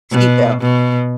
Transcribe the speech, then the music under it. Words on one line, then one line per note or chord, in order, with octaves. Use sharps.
Seat belt.
B2
B2